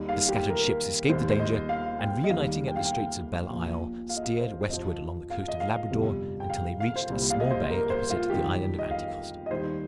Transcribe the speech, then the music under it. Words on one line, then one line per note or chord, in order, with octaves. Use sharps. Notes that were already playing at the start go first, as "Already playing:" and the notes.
The scattered ships escaped the danger, and, reuniting at the Straits of Belle Isle, steered westward along the coast of Labrador, till they reached a small bay opposite the island of Anticosti.
Already playing: D#2 D#3 G3
F5
G4
A#4
D#2 D#3 G3 C5
C5
D#5
F5
G5
D#5
D#2 D#3 G3 F5
G5
F5
G5
A#1 A#2 F3
F5
D#5
F5
C5
C5
F2 F3 D#5
F5
D#5
F5
G1 F2 C3 G3
G5
F5
F5
C5
C2 A#2 G3
F5
D#5
C5
A#4
C5
F4
F2 D#3 G3 G4
D#5
F5
D#5
D#2 D#3 G3 C5